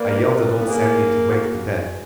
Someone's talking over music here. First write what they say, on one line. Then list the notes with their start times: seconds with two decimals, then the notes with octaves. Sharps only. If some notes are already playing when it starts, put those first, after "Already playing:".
I yelled at Old Sandy to wake the dead.
Already playing: A#3 B4 D5
0.08 A#4
0.61 B3
0.69 A#3 G#4
1.31 F#4